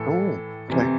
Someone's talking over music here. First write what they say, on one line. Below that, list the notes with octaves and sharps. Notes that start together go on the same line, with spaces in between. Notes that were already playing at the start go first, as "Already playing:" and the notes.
Oh, 'kay.
Already playing: A2 E3 A4
F2 C3 E3